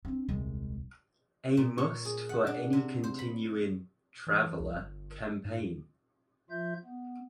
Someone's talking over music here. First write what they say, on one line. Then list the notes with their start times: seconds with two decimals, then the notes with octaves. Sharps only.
A must for any continuing "Traveller" campaign.
0.05 C4 D4
0.29 D#1 C2 D#3 G#3
1.57 A#2
1.78 C#5
2.05 G#4
2.29 F#5
2.47 D4
2.73 C3
3.04 C5
3.19 B5
4.27 E3
4.60 C2
4.74 G1
5.45 G#2
6.50 F3 F4 E5 G6
6.85 B3